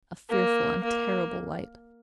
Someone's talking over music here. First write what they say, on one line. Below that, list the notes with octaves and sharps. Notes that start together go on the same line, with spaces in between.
A fearful and terrible light!
A#3
A#3